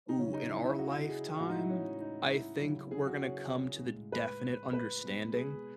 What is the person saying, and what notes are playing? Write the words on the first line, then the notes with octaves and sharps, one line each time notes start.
Ooh, in our lifetime, I think we're gonna come to the definite understanding
D#4
C#3 F#3 C#4
D#4
E4
E4
F#4
G#4
A2 E3 G#3 F#4
D#4
E4
C#4
D#4
E4
C#3 F#3
G#4
F#4
C#4
A2 G#3
B4
B4
B2 G#3
G#4